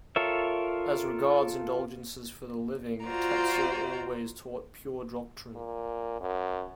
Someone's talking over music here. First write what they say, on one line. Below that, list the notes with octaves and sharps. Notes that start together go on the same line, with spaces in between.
As regards indulgences for the living, Tetzel always taught pure doctrine.
F4 A4 A#4 C#5 E5
F4 F#4 C5 D5 A#5
A#2
F#2